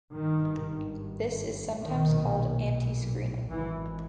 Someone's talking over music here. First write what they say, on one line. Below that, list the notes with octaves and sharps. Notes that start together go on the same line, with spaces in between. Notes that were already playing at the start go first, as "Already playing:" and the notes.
This is sometimes called "antiscreening".
G#1 G2 D#3
B1 A#2 D#3
G#1 G#2 E3